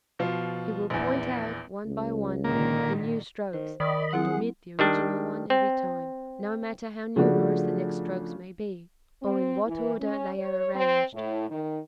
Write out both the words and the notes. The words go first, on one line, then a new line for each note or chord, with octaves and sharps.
He will point out one by one the new strokes and omit the original one every time, no matter how numerous the next strokes may be, or in what order they are arranged.
B2 F3 F4
A#1 E2
C#2
A#2 D3 D#3 A#3
D#3 C5
D#3 D5 D#5 B5
F#3 C4 E4 G#4 F#5
D#3 G3 D4
C4
C#3 F3 A3 D4 F#4
C4
E3
C#4
C#5
C4
A2
D#3